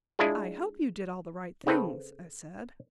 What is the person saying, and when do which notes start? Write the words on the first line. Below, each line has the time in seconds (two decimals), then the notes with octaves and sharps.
"I hope you did all the right things," I said.
0.19 G#3 D4 E4 F4 G#4
1.67 C#3 C4 A4 B4